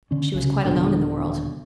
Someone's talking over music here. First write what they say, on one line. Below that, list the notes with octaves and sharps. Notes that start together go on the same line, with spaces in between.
She was quite alone in the world.
D3 C#4
C2 C#3
D#1 B2 D3